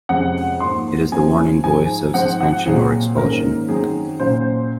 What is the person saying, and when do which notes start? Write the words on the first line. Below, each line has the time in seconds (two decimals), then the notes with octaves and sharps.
It is the warning voice of suspension or expulsion.
0.09 F2 C3 F3 G#3 C#4 F#5
0.60 G#2 F3 A#3 C6
1.12 C3 F3 A#3 C#4 G#5
1.63 G#2 F3 G#3 G#5
2.14 G#2 F3 C4 F#5
2.41 F#5
2.66 A#2 F#3 C4 G#4
3.17 G#2 D#3 A#3 C#4 A#4
3.69 F#2 D#3 F#3 C4 G#4
4.20 A#2 F#3 C#4 C5